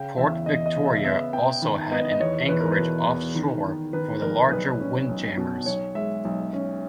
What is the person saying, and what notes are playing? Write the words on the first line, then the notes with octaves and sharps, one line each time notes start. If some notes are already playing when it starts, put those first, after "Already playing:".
Port Victoria also had an anchorage offshore for the larger windjammers.
Already playing: C#3 G5
E2 E5
E2 D#5
D#5
C#3
E5
B3 E5
B3 G5
D#3
B3 D#5
D#5
E2 C#5
E2 B4
A#4
B4
B2
E2
D#3
D#3
D#3 B4
A#1 A#4
B1 B4
C#4
B1
B2
B1 C#5
G#3 E5
B1
C#4